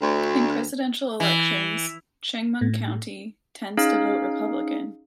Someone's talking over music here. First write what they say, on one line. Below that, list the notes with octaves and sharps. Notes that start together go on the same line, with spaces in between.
In presidential elections Chemung County tends to vote Republican.
D2
E3
A2
C#4 D#4 G#4 F5